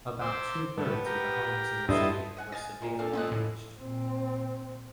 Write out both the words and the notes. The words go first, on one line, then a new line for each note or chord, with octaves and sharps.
About two thirds of the homes in the city were severely damaged.
C5 D6 E6
G2 A3 B3
G4 A#4
G2 B3 E4 A4 D#5 E5 C6
D#5 F#5 G#5
D#5 F5 G#5 A6
A#2 G#3 A#3
C4 D4 A4 F5
A#3 C#4 F4 D#5 F#6
A2
A#2 C4